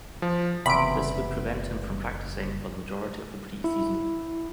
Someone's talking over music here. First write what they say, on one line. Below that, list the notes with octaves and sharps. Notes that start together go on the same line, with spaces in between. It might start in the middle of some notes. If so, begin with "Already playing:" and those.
This would prevent him from practicing for the majority of the preseason.
F3
F#1 E2 C3 B5 D7
E4